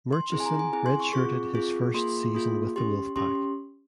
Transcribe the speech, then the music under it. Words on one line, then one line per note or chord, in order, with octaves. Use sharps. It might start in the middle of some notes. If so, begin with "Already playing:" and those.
Murchison redshirted his first season with the Wolfpack.
C6
C4 E4 G#4 C6
G#5
A#5
G#5
C4 E4 G#4 G#5
C6
C#6
C4 F4 G#4 C#6
C4 F4 G#4
A#3 F4 G#4 C6
A#3 F4 G#4
C#4 G4 C6
C#4 G4 C6